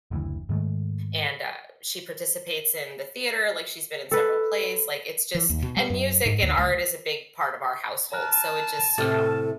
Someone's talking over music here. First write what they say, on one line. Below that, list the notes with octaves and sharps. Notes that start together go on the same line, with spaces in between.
and, uh, she participates in the theater, like she's been in several plays, like it's just and music and art is a big part of our household, so it just, you know,
F#1 D2 E3
G#2 D#3 G#3 A3
A4 B4
E3
D#2
B2
G3
F#2
G#2
D2
C#2
A5 A#5 F6 F#6
A2 C3 A3 A4 F6 A6